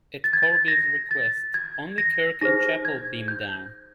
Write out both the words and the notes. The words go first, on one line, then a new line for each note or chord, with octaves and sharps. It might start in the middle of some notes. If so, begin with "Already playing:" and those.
At Korby's request, only Kirk and Chapel beam down.
A6
G#6
A6
A#6
A6
G#6
A#6
D#4 G#4 C5 A#6
G#6
G6